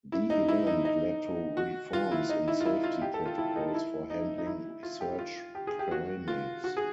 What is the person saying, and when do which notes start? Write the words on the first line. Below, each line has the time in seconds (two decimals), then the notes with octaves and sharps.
The event led to reforms in safety protocols for handling research primates.
0.12 E4
0.30 D#4
0.48 E4
0.67 D#4
0.85 D#4
1.57 F#4
1.93 F4
2.11 E4
2.29 D#4
2.48 E4
2.60 F4
2.66 E4
2.84 F4
3.02 G4
3.14 A4
3.26 F4
3.38 E4
3.56 D#4
3.75 E4
4.10 D#4
4.38 D#4
4.46 E4
4.83 F4
5.01 G4
5.19 F4
5.55 G4
5.67 G#4
5.79 G4
5.91 F#4
6.28 F4
6.64 F#4
6.77 G#4